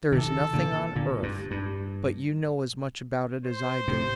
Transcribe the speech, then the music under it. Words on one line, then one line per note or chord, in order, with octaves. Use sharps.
There is nothing on earth--but you know as much about it as I do.
C3 D#3 A4
A#2 D3
A#2 D3
G2
G2
C5
A2 C3